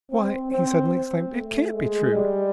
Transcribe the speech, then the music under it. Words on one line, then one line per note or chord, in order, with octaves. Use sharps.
Why!" he suddenly exclaimed, "it can't be true.
C4
C4
A3
G#3
G3